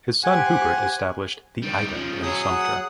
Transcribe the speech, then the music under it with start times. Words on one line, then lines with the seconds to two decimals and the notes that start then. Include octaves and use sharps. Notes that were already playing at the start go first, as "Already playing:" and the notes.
His son Hubert established "The Item" in Sumter.
0.24 G4 C5 F#5 G#5
1.63 D#3 G3
1.93 C#3 F3
2.23 F#3 C#4 E4 G#4 D#6
2.49 F#5